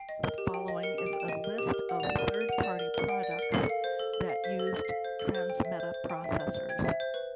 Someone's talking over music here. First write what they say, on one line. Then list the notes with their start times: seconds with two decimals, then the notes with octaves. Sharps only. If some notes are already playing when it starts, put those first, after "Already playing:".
The following is a list of third-party products that used Transmeta processors.
Already playing: G5 C7
0.09 D#5
0.23 A#4
0.38 G4
0.54 G5
0.68 D#5
0.83 A#4 C#7
0.98 G4
1.06 D7
1.13 G5
1.20 E7
1.28 D#5 D#7
1.44 A#4
1.58 G4
1.74 A#4
1.89 F#5
2.00 D5 F7
2.10 E7
2.19 A#4 D#7
2.34 A#4
2.41 D#7
2.49 F#5 F7
2.63 D5 E7
2.79 A#4
2.94 A#4 C#7
3.09 F#5 D7
3.23 D5
3.31 D7
3.39 A#4 C#7
3.52 A4 C7
3.63 C#7
3.69 F5
3.84 C5
3.99 A4
4.14 A4
4.29 F5
4.44 C5 B6
4.60 A4
4.67 A#6
4.75 A4
4.85 C7
4.89 F5 B6
5.05 C5
5.20 A4
5.34 C5
5.50 G5
5.65 E5
5.80 C5
5.94 C5
6.10 G5
6.24 E5
6.40 C5
6.54 C5
6.69 G5 G#6
6.85 E5
7.00 C5
7.14 B4